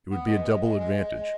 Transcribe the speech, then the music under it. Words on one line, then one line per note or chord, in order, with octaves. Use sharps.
It would be a double advantage.
B3
G#3
G#3
G#3
G#3
G#3
G#3